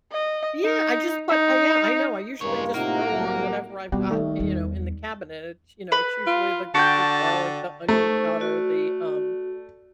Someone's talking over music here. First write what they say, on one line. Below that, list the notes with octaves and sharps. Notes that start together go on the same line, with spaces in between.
Yeah, I just put I yeah, I know, I usually just throw on whatever I've got, you know, in the cabinet. It's, you know, it's usually the the garlic, the onion powder, the, um,
D#5
D#4
D#4
E2 G2 C#3 G#3 A#3 F4 C#5
A2 C3 A#3 D#4 F4 F#5 A#5
C2 F#3
B2 G3 A#3
D#3 A3
E2 G3
B4 B5
F4
D3 F#4 G5 A5 G6
A3 D#4 C5 C#6
F#4 D5